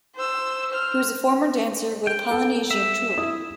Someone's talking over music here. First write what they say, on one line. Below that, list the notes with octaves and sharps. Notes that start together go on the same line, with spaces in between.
He was a former dancer with a Polynesian troupe.
C5 E6
C5 F6
G5
A4
E5
E4 D#6